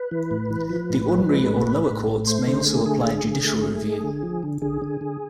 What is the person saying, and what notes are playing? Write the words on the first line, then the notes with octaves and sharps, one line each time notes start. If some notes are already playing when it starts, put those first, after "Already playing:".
The ordinary or lower courts may also apply judicial review.
Already playing: B4
E3
A2
E3
F3
A2
F3
G#3
A2
A2
A2
A2
A3 C5
D3 C5
A3 G#4
D3 G#4
D3
D3
A3
A3
G#3
D3
F3
D3
D3 G#4
D3
D3